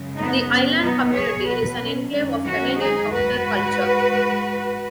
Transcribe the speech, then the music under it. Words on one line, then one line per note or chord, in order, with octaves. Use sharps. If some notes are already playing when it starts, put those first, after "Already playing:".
The island community is an enclave of Canadian counter-culture.
Already playing: F#2 C#3 G#3
B3 D#4
C#4
B2 F#3 B3 D#4
G#4 C#5
F#4 B4
C#4
F#2 D#3 G#3 C#4
C#4 F#4
D#4 G#4
F#4 B4
G#2 G#3